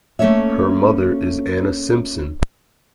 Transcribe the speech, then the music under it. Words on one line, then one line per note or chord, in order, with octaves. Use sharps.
Her mother is Anna Simpson.
A3 A#3 C#4 A4 C#5 E5